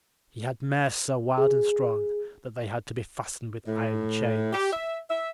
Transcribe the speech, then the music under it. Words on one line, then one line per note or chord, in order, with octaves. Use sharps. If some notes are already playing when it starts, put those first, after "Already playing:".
He had mares so wild and strong that they had to be fastened with iron chains.
G#4
A2
G4
E5
E5